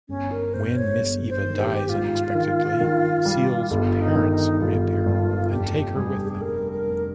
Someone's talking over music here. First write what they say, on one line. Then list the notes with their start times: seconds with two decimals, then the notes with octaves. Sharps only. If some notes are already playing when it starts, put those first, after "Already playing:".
When Miss Eva dies unexpectedly, Ciel's parents reappear, and take her with them.
0.09 G1 C#4
0.31 A#4
0.54 G1 C5
0.77 C#5
0.99 G1
1.29 C5
1.44 D#3
1.60 G4
1.89 G#2 F4
2.35 D#3
2.81 D#3
3.25 G3
3.70 G1 F4
4.00 D#4
4.15 D#3
4.31 D#4
4.60 G1 F4
5.06 G2
5.51 F1 G4
5.96 G3 G#4
6.19 G4
6.30 G#4
6.41 G3 A#4
6.72 A#4
6.87 F1